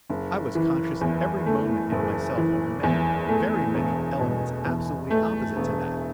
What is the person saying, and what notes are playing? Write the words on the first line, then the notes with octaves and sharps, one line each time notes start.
I was conscious every moment in myself of many, very many elements absolutely opposite to that.
F#1
E3
E2
A3
F#1
E3
E2
A3
E1
B2
E2
A3
E1